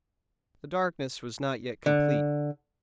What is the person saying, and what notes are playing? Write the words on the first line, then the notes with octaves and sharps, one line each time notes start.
The darkness was not yet complete.
D3